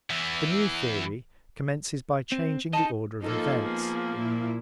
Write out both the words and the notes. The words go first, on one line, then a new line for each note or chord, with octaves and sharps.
The new theory commences by changing the order of events.
E2 E3
C4
D#4 D#5 A5
F3 A#3 D#4 A4
B3 G#4
A#2 E4